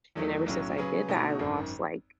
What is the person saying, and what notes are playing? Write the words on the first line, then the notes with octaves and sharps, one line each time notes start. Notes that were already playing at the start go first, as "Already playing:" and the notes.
And ever since I did that, I lost, like,
E2 D#3 F#3 A3
B1 A2 F#3 C#4
C#3 F#3 C#4 G#4 B4
B2 A3 D#4 F#4 A4
G#1 F#2 D#3